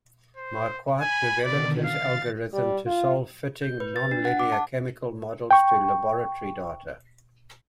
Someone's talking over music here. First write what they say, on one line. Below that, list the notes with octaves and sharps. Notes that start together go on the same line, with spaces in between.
Marquardt developed his algorithm to solve fitting nonlinear chemical models to laboratory data.
C5
G#5 B5
B2 D3 D#3 D5
F5 A6
G3
F4
G6
B4
A6
D4
F#5
D6
A5
G5 C#6